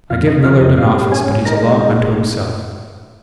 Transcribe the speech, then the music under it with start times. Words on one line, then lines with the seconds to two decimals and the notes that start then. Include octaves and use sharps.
I give Millard an office but he's a law unto himself.
0.10 F2 F4 F5
0.27 C#3 D#4 D#5
0.44 F3 F4 F5
0.61 F2 D#4 D#5
0.77 G#2 F4 F5
0.95 G3
1.11 C#4 G#4 G#5
1.28 G#2
1.45 D#4 A#4 A#5
1.62 G#3